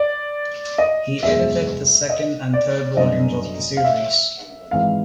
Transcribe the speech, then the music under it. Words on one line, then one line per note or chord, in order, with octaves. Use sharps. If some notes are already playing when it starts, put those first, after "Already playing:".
He edited the second and third volumes of the series.
Already playing: D5
D#5
F#1 E2 B2 G#3 E5
D#5
D5
G1 F#2 D3 D#5
F5
E5
G#1 G#2 E3 F5